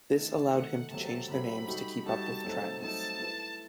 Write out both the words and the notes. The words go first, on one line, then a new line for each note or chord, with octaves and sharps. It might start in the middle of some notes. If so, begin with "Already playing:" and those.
This allowed him to change their names to keep up with trends.
D#3 A3 D#4 A4 A5
D#3 A3 D#4 A4 F#5
C3 F#3 A3 A5
C3 F#3 A3 B5
G3 D#4 F#4 A4
G3 D#4 F#4 A4 A5
F#3 A3 C4 D#4 A4
F#3 A3 C4 D#4 A4 A5
A3 E4 B4